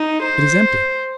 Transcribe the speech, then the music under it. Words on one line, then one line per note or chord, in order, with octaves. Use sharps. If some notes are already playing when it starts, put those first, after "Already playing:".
It is empty.
Already playing: D#4
C5